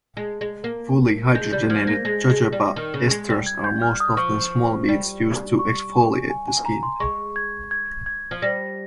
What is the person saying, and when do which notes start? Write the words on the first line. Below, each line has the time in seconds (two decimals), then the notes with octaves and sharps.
Fully hydrogenated jojoba esters are most often small beads used to exfoliate the skin.
0.17 G#3
0.41 G#3
0.64 A#3
1.35 G#3 G6
1.53 G3 G6
1.70 F3 G#6
1.87 A#3 A#6
2.05 G#3 A#6
2.30 G#3
2.52 G3
2.76 D#3
2.94 C#3
3.11 G#3
3.30 G3
3.46 G#6
3.64 G6
3.82 F6
4.00 D#6
4.17 F3 C#6
4.88 G3
5.59 C#6
5.95 G#5
6.30 G#5
6.48 G#5
6.66 A#5
6.83 C6
7.00 G#3 C#6
7.36 G#6
7.71 G#6
8.06 G#6
8.31 F3
8.42 G3 A#6